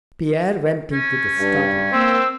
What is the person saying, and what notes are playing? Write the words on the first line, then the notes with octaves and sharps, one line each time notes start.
Pierre went into the study.
C#4
G2
A#3 C4 E6